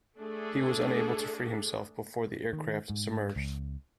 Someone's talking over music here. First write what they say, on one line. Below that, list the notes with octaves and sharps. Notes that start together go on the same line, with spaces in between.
He was unable to free himself before the aircraft submerged.
A3 D4 G#4 A4
D#3
G#2
C#2